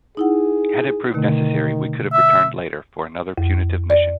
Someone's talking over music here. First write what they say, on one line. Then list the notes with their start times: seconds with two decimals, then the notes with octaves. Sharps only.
Had it proved necessary, we could have returned later for another punitive mission.
0.17 D#4 E4 G#4 F#5
1.14 B2 D3 D#3 A3
2.13 E5
3.38 F2
3.90 D5